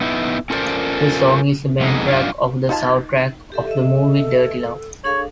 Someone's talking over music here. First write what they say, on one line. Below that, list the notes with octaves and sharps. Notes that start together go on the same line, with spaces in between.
The song is the main track of the soundtrack of the movie "Dirty Love".
B3 D#4 E4
C#4 F4 A4 A#4 C5 D5
F2 B2 D3 E3 G#3 D#4
F#2 D4 F4
D#4 F4 A5
G4 A4 E5
A4 D#5 E5
D4 G#4 A4 C#5 F5